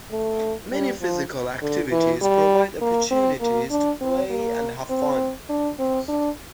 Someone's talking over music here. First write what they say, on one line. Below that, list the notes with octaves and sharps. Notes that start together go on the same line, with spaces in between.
Many physical activities provide opportunities to play and have fun.
A3
G3
F3
D3
E3
G3
A#3
C4
A#3
D4
C4
A#3
C4
D4
C4
D4